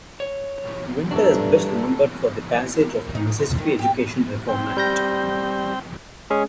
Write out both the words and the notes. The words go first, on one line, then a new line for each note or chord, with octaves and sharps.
Winter is best remembered for the passage of the Mississippi Education Reform Act.
C#5
G2 F#3 D4 A4 E5
A#4
D#4
F3
D#3
G4
C4 G5
G3 G6 A#6
G#3 C#4 G#4